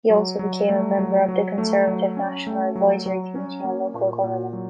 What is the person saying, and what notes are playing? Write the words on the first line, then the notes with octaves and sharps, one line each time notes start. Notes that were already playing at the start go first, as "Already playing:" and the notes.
He also became a member of the Conservative National Advisory Committee on local Government.
F#3
F#3
A3
F#3
F#3
A3
F#3
C#4
A3
F#3
F#3
C#4
A#3
A#2
A#2
F#3